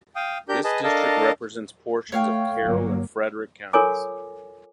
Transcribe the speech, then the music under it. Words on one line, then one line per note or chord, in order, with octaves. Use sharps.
This district represents portions of Carroll and Frederick Counties.
F5 G5 D#6
D4 G4 A#4 G6
G#4 B4 D#5 A5
D4 A4 A#4 D#5 F5 A5
A3 C#5 F5 G5
G1 F#3 A#3
F4 A4 A#4 C#5 G#5 D6